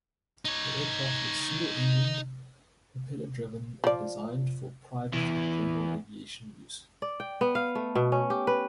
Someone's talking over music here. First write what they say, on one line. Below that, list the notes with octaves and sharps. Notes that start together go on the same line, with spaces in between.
The aircraft is single-engined, propeller driven and designed for private and general aviation use.
D#4 C#5
F3 D5
E2 E3
D5
G5
B3
F5
A3
B2
C#4
G4
B4